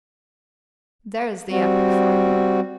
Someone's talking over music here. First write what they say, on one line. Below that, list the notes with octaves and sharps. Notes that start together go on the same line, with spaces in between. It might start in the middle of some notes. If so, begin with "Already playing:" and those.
There's the epoch for you.
G3 C4 F#4